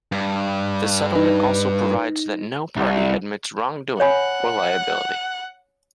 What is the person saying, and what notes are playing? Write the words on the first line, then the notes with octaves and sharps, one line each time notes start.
The settlement also provides that no party admits wrongdoing or liability.
G2
D#4 B4
C2
C#5 F#5 G#5 B5